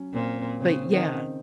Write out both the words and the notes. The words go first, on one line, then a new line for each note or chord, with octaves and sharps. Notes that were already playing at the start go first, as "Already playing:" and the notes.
but yeah,
Already playing: F#3 C#4
A#2 C4
C4
C#3 C4
C4
D#3
C#3